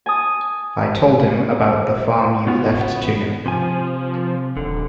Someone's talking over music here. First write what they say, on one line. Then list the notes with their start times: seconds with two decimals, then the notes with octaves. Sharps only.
I told him about the farm you left to him.
0.06 G#5 A5 D#6
2.47 C#3 B3 F4 F#4
3.46 C3 F3 G#5
4.57 D#1 D3